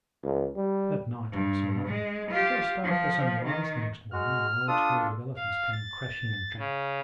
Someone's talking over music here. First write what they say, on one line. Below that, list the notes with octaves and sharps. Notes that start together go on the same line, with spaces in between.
That night I saw nothing, but just after sunrise the next morning a large herd of elephants came crashing and trampling by.
C#2
G3
G2
G#3
F4 G4
F3
D#3
G#3 F#4 F6
D4 F4 A4 D#6
F5
A6
C#3